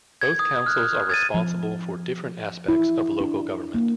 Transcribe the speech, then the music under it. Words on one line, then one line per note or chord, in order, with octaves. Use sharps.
Both councils are responsible for different aspects of local government.
G#6
D#6
F6 F#6
G#6 A6 D#7
F3
E4
D4
A#3